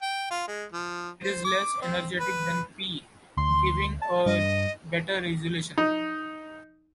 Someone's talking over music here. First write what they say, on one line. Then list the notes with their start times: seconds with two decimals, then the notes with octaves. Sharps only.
It is less energetic than P, giving a better resolution.
0.02 G5
0.31 F4
0.48 G#3
0.72 F3
1.23 C5
1.45 D6
1.82 C4
2.20 B4
3.37 D2 C6
4.02 A5
4.26 G2 G3 D#5
5.78 D#4